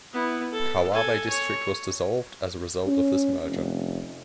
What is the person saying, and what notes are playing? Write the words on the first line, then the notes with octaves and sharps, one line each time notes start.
Kawabe District was dissolved as a result of this merger.
B3 E4
A4
A4 G#5
C#5
C#4
F1